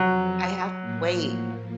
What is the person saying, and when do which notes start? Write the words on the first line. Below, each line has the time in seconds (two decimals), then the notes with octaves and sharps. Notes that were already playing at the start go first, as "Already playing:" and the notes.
"I have to wait
Already playing: F2 C3 F3 F#3
0.81 A2 F3 A#3